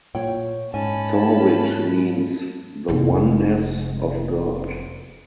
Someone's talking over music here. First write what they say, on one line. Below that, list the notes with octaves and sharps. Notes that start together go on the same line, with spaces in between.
Tawhid means "the oneness of God".
A#2 C#5 G5
G#2 C#4 G#5 A5 B5
F1 C3